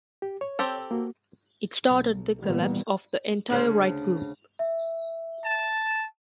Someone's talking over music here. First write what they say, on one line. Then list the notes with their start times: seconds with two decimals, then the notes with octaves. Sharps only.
It started the collapse of the entire Wright group.
0.22 G4
0.41 C#5
0.59 C4 G4 A4
0.91 A#3 F#4
1.83 B1
2.41 A#2 D#3 E3 G3 A#3 B3
3.50 D2 C#3 C5
4.59 E5
5.44 A5